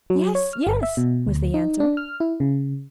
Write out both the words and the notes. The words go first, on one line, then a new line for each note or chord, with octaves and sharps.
"Yes, yes," was the answer.
F#3
C#5
F6
G1
E5
B2
D2
D#4
D4
F6
E4
C#3